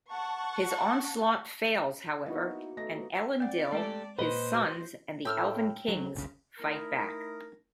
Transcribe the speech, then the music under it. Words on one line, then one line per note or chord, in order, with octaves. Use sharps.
His onslaught fails, however, and Elendil, his sons, and the Elven kings fight back.
F#5 A5 C#6
A#3 B3 D#4 E4 F#4
A3 D#4 A#6
C4 D5 F#5
G#3 A3 G4 A4
A#2 B4 C5 D#5
F#4 A#4
A2 G5 E6 F6
D2 F#3
F#1 C2 C#3
A3 D#4 E4 A#4